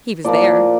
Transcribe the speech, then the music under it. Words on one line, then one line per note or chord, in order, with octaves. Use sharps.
"He was there."
A#2 F3 A#3 D5